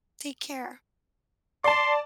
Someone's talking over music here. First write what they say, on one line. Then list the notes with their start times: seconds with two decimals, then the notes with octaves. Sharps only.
Take care.
1.64 D5 A5 C6